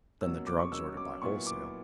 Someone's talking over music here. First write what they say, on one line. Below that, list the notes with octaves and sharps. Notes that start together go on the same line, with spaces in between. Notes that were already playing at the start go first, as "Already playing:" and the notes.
Then the drugs ordered by wholesale.
B2 F#3 A#3 C#4 E6
D6
C#6
B2 F#3 A#3 C#4 E6
D6
A#2 F#3 B3 E4 C#6
D6